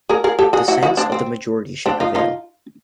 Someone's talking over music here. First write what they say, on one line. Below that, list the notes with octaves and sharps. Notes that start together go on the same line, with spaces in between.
The sense of the majority should prevail.
G#4 A#4
G#4 A#4
G4 A4
F#4 G#4
E4 F#4
E4 F#4
C4 D4
C4
C4 D4
D#4 F4
D#4 F4